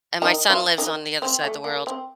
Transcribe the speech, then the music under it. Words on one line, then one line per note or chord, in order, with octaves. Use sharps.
And my son lives on the other side of the world.
D#3 D#4
F3 F4
D#3 D#4
C4
A3
A#3
C4